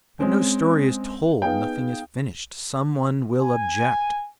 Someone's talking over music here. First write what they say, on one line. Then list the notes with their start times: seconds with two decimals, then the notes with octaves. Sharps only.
But no story is told, nothing is finished, some one will object.
0.19 G#3 C4 C#4
1.42 B3 D#4 G#4 F5 G5
3.40 G#5